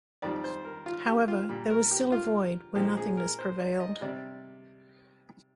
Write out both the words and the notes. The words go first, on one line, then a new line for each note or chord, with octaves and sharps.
However, there was still a void, where nothingness prevailed.
F2 D#3 G3 D5
C5
A#4
F4
G4
F4
A#2 G3
A#4
G4
F4
A#2 F3 G#3 G4
G#4
A#4
C5
D5
D#5
C3 G3 D5